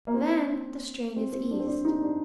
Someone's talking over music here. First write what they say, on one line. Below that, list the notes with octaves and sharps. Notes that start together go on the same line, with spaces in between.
Then the strain is eased.
A#3
C4
C4
C4
D4
C4
D4
D#4
D4